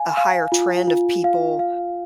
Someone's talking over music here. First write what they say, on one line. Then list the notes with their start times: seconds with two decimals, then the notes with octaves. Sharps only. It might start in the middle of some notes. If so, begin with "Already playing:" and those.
a higher trend of people
Already playing: F5 G#5
0.17 F5
0.52 F4
0.87 F4
1.24 F5
1.59 F5